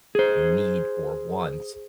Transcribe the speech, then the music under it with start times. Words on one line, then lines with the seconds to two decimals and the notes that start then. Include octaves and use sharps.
I need or want,
0.15 G#4 C5